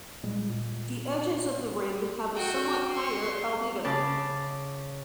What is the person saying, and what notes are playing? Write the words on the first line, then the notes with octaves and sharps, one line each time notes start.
The edges of the rim have a somewhat higher albedo.
A#2 G3 G#3
A#2
F#4 G5
C6 C#6
C#3 C#4 D5 A5